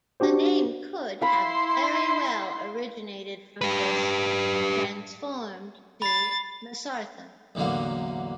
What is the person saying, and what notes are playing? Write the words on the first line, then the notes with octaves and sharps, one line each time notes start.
The name could have very well originated from this and transformed to "Mesarthim".
D4 F#4 G4 C5
E4 F5 B5 C6
G4 B4
B5 A6 C7
A1 E2 D3 F#3 A#3